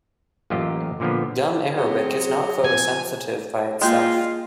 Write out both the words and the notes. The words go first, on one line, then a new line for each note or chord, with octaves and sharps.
Gum arabic is not photosensitive by itself.
A1 F#2 A#3 F4 G4 D#5
A#2 D3 F3 A#3 B3
F#3 C4 G#4
F3 C4 G#5
G#3 A#3 F4 G5